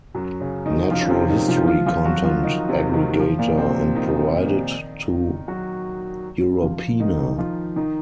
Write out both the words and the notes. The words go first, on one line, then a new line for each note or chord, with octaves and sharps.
Natural History content aggregator and provided to Europeana.
F#2 F#3
C#3 C#4
D#3 D#4
F3 F4
C#4
C3 C4
D#3 D#4
F3 F4
F3 F4
F3 F4
F#3 F#4
F3 F4
D#3 D#4
C3 C4
D#3
F3
A#2 A#3
C3 C4
D#3 D#4
F#3 F#4
F3 F4
D#3 D#4
F3 F4
D#3 D#4